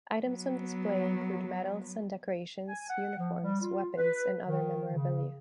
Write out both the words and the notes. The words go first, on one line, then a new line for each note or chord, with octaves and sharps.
Items on display include medals and decorations, uniforms, weapons and other memorabilia.
F#3 B3
G#5
F#5
F3
G3
F4
B4
D#3
C#3